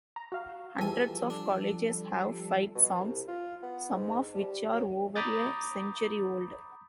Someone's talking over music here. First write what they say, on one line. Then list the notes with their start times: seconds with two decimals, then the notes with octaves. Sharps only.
Hundreds of colleges have fight songs, some of which are over a century old.
0.16 A#5
0.32 F#4 F5
0.79 E2 F3 G3 A4 G#5
1.30 D4
2.75 B2
3.00 C2
3.28 F4
3.63 B3
3.92 G#2
4.35 G3
4.73 F#3
5.16 A#5 B5 D6 D#6 G6 A6